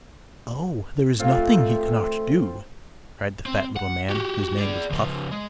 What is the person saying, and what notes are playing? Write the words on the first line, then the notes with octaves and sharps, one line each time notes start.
"Oh! there is nothing he cannot do," cried the fat little man whose name was Puff.
A3 C4 F4
C4
F#5
F#4 G4
G#4 D5
C#3 F3
G#3